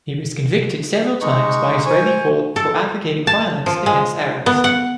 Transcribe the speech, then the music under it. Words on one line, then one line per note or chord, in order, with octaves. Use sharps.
He was convicted several times by Israeli courts for advocating violence against Arabs.
G#3 D#4 C#6
C5 G#5 C#6
A4
A5
F3
G#3
B3
F#5